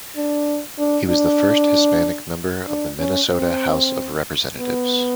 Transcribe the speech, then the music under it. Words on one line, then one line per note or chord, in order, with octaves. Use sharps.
He was the first Hispanic member of the Minnesota House of Representatives.
D4
D4
D4
D4
C#4
C4
B3